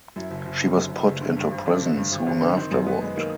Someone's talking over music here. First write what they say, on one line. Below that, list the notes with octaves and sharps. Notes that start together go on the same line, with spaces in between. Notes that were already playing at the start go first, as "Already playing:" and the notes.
She was put into prison soon afterward.
F#2 E4
F#1
F#1
D3
F#2
F#1
F#1
D3
G2
G#1
G#1 D4
D3
G2
G#1
G#1
D3
D#3 C4
F#2
F#2 B3
G#3
D#3 A#3